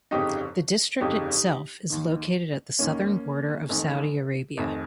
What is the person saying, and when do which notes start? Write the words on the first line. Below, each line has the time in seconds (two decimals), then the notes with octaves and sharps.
The district itself is located at the southern border of Saudi Arabia.
0.11 G1 F2 C#3 D#4 G4
1.00 G1 F2 C#3 D#4 G4
1.90 D#2 D#3
2.79 D#2 D#3 A#3 C#4
3.69 F1 F2 D#3
4.57 F1 F2 D#3